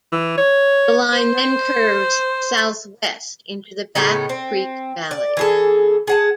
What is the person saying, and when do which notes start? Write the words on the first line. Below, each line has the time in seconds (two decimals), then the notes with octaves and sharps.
The line then curves southwest into the Back Creek valley.
0.12 E3
0.38 C#5
1.13 C5
3.95 A2 C#3 B3 D#4
4.29 C4
5.11 D5
5.37 E3 G#4 A4
6.07 G#4 F#5 A5